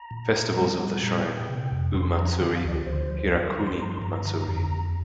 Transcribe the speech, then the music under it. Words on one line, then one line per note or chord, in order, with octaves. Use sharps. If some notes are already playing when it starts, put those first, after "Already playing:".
Festivals of the shrine: U-matsuri, Hirakuni-matsuri.
Already playing: A#5
A#2
A#2
G3
G3
A#2 A#5
G5
A#2 F5
G5
C3
F2
F2 C6
C6
F3 A#5
D3 G5
F5
D2 D5
G4
D2 C5
F3
F3 D5
A#4
F3 A#5
C6
G2 A#5
C6
G2 A#5
A#5
D3
F2
F2